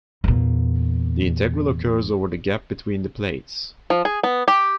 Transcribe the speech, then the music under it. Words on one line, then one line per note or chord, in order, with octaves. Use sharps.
The integral occurs over the gap between the plates.
E2 A#2
F3
G#4
B3
G4